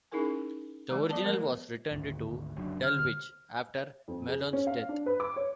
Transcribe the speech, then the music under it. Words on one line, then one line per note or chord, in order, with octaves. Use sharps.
The original was returned to Dulwich after Malone's death.
C#4 D#4 E4 G#4 A#4 G#5
E3 G3 G#3 A#5
E3 F3 B3 D5 A5
G3 A3 A#4 C5
G#1 D2
F#1 F#3 D4
D3 F6
F2
G#4
C#4
F5
D4
B4
D6
C#5